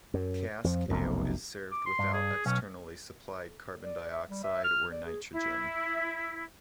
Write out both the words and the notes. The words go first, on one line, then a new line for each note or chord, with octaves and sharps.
Cask ale is served without externally supplied carbon dioxide or nitrogen.
F#2
F2 F3
F1 B1 F#2
D6
C6
G2
G#4
B1 C#4
D5
E5
G3
E5
F6
D5
G#4
E4